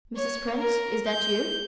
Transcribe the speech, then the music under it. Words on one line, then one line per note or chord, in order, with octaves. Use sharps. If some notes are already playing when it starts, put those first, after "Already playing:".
"Mrs. Prince, is that you?"
C#5
A#4
G6